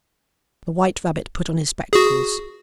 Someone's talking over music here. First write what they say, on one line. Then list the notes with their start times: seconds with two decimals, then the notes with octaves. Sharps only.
The White Rabbit put on his spectacles.
1.93 F#4 G#4